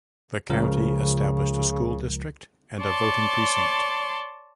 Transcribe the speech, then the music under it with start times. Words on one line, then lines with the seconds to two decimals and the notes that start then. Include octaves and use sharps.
The county established a school district and a voting precinct.
0.50 C#2 C#3 F3 A#4
2.81 C#5 D5 A5 C6